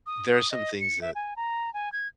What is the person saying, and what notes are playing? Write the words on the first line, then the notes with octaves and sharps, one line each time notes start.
there are some things that
D#6
D#6
D#5
C#7
E5
G#5
A#5
G#5
G#6